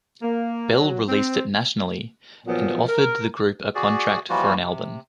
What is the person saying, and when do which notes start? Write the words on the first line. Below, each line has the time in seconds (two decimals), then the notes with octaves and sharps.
Bell released it nationally and offered the group a contract for an album.
0.22 A#3
0.73 F#3
1.08 C4
2.46 A#2 F3 F#3 B3
2.88 A#4
3.75 F#4 G#4 D5
4.30 E3 F3 G3 A#3 F4 F#4
4.63 C3